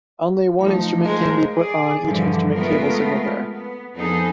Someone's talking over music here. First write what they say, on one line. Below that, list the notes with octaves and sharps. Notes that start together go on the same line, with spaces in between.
Only one instrument can be put on each instrument cable signal pair.
F3 A3 D#4 F5
G#3 A#4 C5
G#4 D5
G2 A#2 D3 E3 F3
G#3 A3 B3 F4 A#4
B3
F2 B3 D#4 G#4 A4